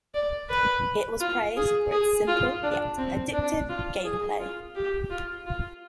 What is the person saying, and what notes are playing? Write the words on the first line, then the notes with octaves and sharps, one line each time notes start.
It was praised for its simple yet addictive gameplay.
D5
B4
F4
G#4
G#4
F4
D4
C4
D4
F4
G#4
F4
G4
F4
F4